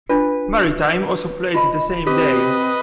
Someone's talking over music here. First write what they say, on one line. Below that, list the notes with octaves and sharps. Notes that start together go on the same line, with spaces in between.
Maritime also played the same day.
D4 F4 B4
F4 D#5 B5
C4 G4 B4 D#5